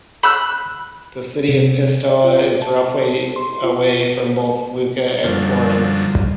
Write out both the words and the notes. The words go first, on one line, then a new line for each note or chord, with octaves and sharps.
The city of Pistoia is roughly away from both Lucca and Florence.
B5 E6 F#6
C3
D5
F4
A5
C6
F4
F#2 D3 F3 G3